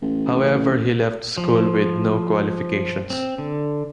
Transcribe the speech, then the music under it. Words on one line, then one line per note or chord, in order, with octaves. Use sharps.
However, he left school with no qualifications.
A1
F3
C4
D3